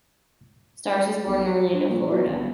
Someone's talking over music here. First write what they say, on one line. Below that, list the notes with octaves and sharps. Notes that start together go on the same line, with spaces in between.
Starks was born in Orlando, Florida.
B1
F#3
G2
A#2
F#3
G1